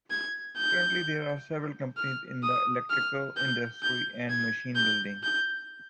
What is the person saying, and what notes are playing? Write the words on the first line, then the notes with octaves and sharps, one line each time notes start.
Currently, there are several companies in the electrical industry and machine building.
G#6
G6
F6
D#6
F6
G6
G6
G#6
G6
G6